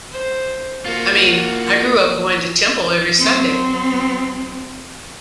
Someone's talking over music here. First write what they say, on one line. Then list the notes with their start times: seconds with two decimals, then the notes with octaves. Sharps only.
I mean, I grew up going to temple every Sunday.
0.11 C5
0.86 A#3 F4 F#4
3.20 F#3 C4